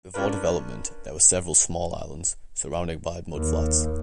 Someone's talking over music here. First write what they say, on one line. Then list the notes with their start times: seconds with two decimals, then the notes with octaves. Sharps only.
Before development, there were several small islands, surrounded by mudflats.
0.14 C#4 D4 F4 A#4 B4
3.35 D#2